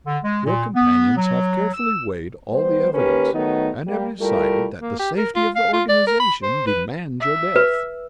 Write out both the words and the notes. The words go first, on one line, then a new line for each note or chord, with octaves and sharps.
Your companions have carefully weighed all the evidence, and have decided that the safety of the organization demands your death.
D3
G#3
A#2
B3
F#3
E6
G3 B3 C5
D#2 C#4 G4 A#4 B4
D#3 F#3 A3 B3 D#4
G3 A#3
G3 A3 E4 F4 A#4
A#3
G4
A#4
F4
F5
F4
D5
A#4
B5
C5
B4
E5
B4